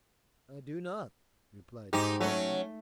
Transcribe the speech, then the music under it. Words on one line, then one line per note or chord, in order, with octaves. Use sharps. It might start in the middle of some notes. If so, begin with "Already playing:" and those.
"I do not!" replied the gentleman.
G#2 D#4 G4
F#3 A3 C#4